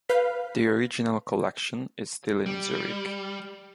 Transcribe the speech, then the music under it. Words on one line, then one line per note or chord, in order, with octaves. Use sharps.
The original collection is still in Zurich.
B4 F5 G6 B6
G3